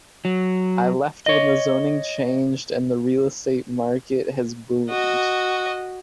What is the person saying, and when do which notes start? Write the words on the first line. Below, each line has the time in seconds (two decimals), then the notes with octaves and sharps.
I left when the zoning changed and the real estate market has boomed.
0.25 F#3
1.26 C#5 D#5
4.90 F#4 D#5